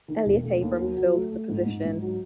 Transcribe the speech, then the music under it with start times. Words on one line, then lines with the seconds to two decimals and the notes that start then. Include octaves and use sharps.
Elliot Abrams filled the position.
0.08 D#3
0.26 E1
0.43 A3
0.61 D#2
0.79 F#3
0.97 F#3
1.14 A3
1.32 A3
1.49 G#2
1.66 G#2
1.85 G#2
2.02 F#3